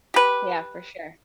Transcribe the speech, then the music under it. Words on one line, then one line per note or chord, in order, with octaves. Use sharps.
Yeah, for sure.
G4 B4